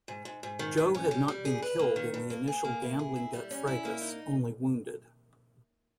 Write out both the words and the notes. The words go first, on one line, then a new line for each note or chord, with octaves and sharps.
Joe had not been killed in the initial gambling-debt fracas, only wounded.
G#2
G#2
G#2
D#3
G#2
C#4
G3
G3
G#4
B4
A#3
D#3
G2
A#3
G#4
A#3
E4
G#4
E4
G3
C#4
E4
A#3
D#4